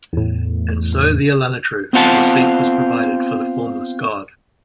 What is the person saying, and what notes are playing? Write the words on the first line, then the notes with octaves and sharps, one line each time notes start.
And so the Elunetru, the seat was provided for the Formless God.
E2 A2
B3 C4 F4 F#5 A5